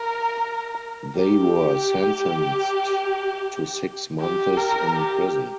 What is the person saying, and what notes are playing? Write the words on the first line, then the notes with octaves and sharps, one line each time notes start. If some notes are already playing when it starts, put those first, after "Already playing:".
They were sentenced to six months in prison.
Already playing: A#4
G4
G4
A#4
G4